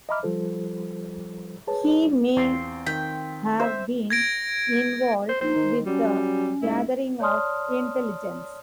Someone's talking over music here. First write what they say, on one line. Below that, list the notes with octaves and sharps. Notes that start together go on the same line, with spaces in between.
He may have been involved with the gathering of intelligence.
D#5 E5 A#5 B5 D6 F6
F3 G3 F4 A4 C5
G#4 B4 C#5 A5
E2 C4 F4
D#3 G5 B6
C5 E5
G#6 A#6 D7
C5
A#1 D#4 C5
D#3
F#3 G3 C#4
G#2 E4
C#5 D5 A5 C6 D#6 F6